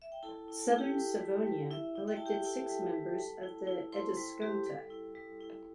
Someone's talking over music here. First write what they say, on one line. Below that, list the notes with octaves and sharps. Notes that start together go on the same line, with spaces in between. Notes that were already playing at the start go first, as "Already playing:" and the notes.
Southern Savonia elected six members of the "Eduskunta".
E5
G5
E4 A4 A5
E4
A4 A5
E4
G4 G5
G3
G3
G3
E4 E5
E4
G5
E4 A5
G4 G5
E4 A4 A5
G3
G3
G3
E4
E4
E4 C5 C6
G3
G3 G4
G3 A4
E4
G3
E4